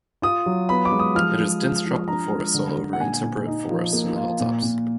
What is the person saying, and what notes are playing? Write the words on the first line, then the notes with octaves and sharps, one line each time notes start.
It has dense tropical forests all over and temperate forest in the hilltops.
F4 D#6
F#3
B3 B5
D6
G#3
D#6
F3 F6
G#3
F3
F3
D4 A#5
G#3
D3
D3
F#5
A#2 G#5
A#2
D#4
F3
A#3
F4
A#2
A#2